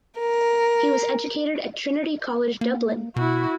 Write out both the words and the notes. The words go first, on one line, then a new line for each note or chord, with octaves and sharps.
He was educated at Trinity College Dublin.
A#4
A#3
B2 E4 F#4